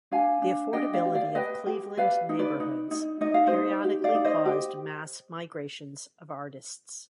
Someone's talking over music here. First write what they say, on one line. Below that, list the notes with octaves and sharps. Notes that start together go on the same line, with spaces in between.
The affordability of Cleveland neighborhoods periodically caused mass migrations of artists.
D4 F5 G#5
D4
D4 D#5 G5
D5 F5
G4
D5 F5
B4 D#5 G5
G4
B4 D5 F5
D#4
B4 D5
D#4
D#4
D#4 D#5
F5
C5 D#5
D#4
G4
D5 F5
D#4
C5 D#5
G4